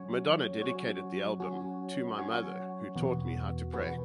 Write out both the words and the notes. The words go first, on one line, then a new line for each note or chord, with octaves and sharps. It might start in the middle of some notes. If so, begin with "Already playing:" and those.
Madonna dedicated the album to "My mother, who taught me how to pray".
Already playing: F#3 C#4 F#4 C#5
F#3 C#4 F#4 C#5
F#3 C#4 F#4 C#5
F#3 C#4 F#4 C#5
E2 B2 B3 F#4
E2 B2 B3 F#4